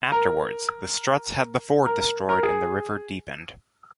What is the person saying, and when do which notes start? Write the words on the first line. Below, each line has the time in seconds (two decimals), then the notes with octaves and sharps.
Afterwards, the Strutts had the ford destroyed and the river deepened.
0.12 A#4
1.86 A#4
2.00 A#4
2.29 A#4
2.43 G#4